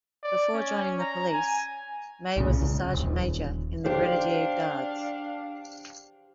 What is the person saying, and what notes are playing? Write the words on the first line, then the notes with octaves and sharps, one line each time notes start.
Before joining the police, May was a sergeant major in the Grenadier Guards.
D5
C#4
A#5
G#5
C2 A#2 C#3
C#2
D#1
D4 G4 C5 F5